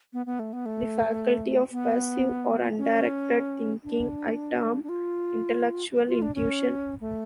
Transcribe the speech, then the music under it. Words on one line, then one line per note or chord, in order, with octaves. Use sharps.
The faculty of passive, or undirected, thinking, I term 'intellectual intuition'.
B3
B3
A3
B3
A3
B3
C#4
D4
D4
F4
F4
D4
C#4
A3